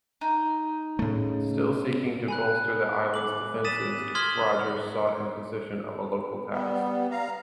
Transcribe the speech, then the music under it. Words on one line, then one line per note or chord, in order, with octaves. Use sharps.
Still seeking to bolster the island's defences, Rogers sought imposition of a local tax.
D#4
A2 C#3 A3
G#5 B5 F#6
D6 F#7
D#6 A6 B6 D#7 E7
C6 D#6 F6 G#6 B6 F#7
G3 B3
F5 A#5